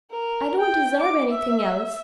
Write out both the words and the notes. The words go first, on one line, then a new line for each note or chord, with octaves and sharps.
'I don't deserve anything else.
A#4
G5
D6
E5